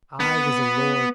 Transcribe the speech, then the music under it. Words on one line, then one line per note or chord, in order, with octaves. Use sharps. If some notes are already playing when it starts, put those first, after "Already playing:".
I was a lord.
B3